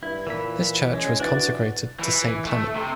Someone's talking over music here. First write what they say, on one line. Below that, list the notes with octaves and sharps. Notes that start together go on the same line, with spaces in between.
This church was consecrated to Saint Clement.
G2 E4
A#2 E3 B5
G#3 C#4
E3 D4 F#4 D5
E3
A3
C3